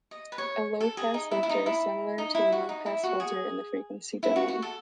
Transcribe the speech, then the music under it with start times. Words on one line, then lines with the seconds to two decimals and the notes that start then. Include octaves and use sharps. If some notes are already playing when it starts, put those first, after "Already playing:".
A low-pass lifter is similar to a low-pass filter in the frequency domain.
0.11 D#5
0.32 B4
0.38 C#5
0.80 A4
0.97 G#4
1.14 D#4
1.31 E4
1.43 E4
1.49 D#4
1.66 E4
2.18 D#4
2.35 E4
2.52 F#4
2.69 D#4
2.86 E4
3.03 F#4
3.20 G#4
4.23 E4
4.36 F#4
4.48 F#4
4.62 A4